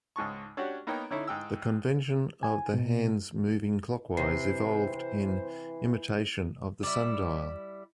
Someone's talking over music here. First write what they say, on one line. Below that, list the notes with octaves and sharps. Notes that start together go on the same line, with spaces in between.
The convention of the hands moving clockwise evolved in imitation of the sundial.
C#2 G#2 A5 C#6
C#4 D4 F#4 G4 F#5
A#3 B3 D#4 A#4 C#5 G5
D3 C#4 D#4 E4
G#2 G5 E6
G#5
B2
C3 E3 C5 C7
G3 E4